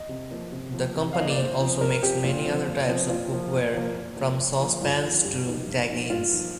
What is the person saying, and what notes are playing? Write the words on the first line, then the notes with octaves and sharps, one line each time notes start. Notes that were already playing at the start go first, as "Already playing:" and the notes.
The company also makes many other types of cookware, from sauce pans to tagines.
Already playing: D#5
C3
F3 A#3
C3
F3 A#3
C3
F5
F3 A#3 D#5
D5
A#2 C5
F3 C4
A#2 A#4
F3 C4 G4
A#2 F4
F3 C4
A#2
F3 C4
A#2 F4
F3 A#3
A#2
F3 A#3
A#2
F3 A#3
A#2
F3 A#3
G2 F4
F3 A#3 D#4
G2 G4
F3 A#3 D#4
G2
F3 A#3 D#4
G2 F4
F3 A#3 D#4